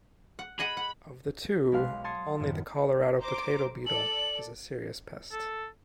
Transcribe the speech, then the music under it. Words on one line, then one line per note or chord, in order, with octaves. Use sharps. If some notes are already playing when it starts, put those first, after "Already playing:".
Of the two, only the Colorado potato beetle is a serious pest.
F#5
G#4 D#5 F#5 B5
F#5
B1 G#3 B4 F5 C6
A5 C6 D#6 G#6 A6 C#7
F#2 A2 D#3 B3
C5 A#5 D6
A4 D5 F#7
A4